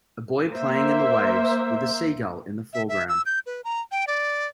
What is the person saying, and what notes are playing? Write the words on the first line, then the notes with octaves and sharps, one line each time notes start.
A boy playing in the waves, with a seagull in the foreground.
A#3 C5 E5
E5
E5
E6
G6
B4
A#5
G5
D5